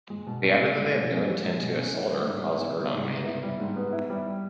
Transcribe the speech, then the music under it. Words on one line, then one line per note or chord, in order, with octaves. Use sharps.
They added they had no intent to assault or cause hurt on Maniam.
G#3
B2
C#4
G4
G#3
B2
C#4
G4
G#3
B2
C#4
E4
G3
G#2
B3
E4
G3
G#2
B3
E4
G3
G#2
B3
E4
G3